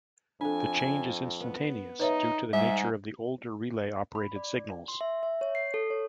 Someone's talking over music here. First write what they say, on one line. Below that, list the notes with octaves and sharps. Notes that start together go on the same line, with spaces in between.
The change is instantaneous, due to the nature of the older relay operated signals.
F2 D4 A4 G#5
B3
D#4 B4 C#5 E5
G#2 G3 E5
B5
D5
C6
E5
E5
C#5
C7
A4
C#5